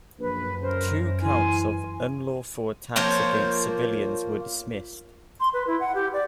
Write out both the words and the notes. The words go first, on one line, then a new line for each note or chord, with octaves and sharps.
Two counts of unlawful attacks against civilians were dismissed.
A#1 F#2 B4
C#3 A#4 C5
E3 G#5 C6
F3 A#3 C5 C#5
C6
B4
E4
F#5
G4
D5